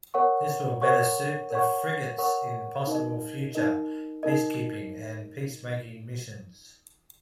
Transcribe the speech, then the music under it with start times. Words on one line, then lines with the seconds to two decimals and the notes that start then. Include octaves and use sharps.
This will better suit the frigates in possible future peacekeeping and peacemaking missions.
0.14 A#4 C#5 F#5 C#6
0.82 A#4 C#5 F#5 C#6
1.50 A#4 C#5 F#5 C#6
2.18 A#4 C#5 F#5 C#6
2.87 D#4 A#4 D#5
3.55 D#4 A#4 D#5
4.23 D#4 A#4 D#5